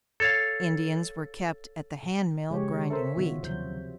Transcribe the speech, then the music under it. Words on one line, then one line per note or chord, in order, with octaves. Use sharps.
Indians were kept at the handmill grinding wheat.
A4 C#5 F5
C#3 G#3 G4 C#5
A4 A#4 C5 E5
B2 D#3 F4 F#4
D#2 C3 F3 F#3 C5 G6